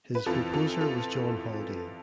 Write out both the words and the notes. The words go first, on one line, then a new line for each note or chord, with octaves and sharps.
His proposer was John Haldane.
B4
F2 E3 F4 A4
F4 A4
F4 A4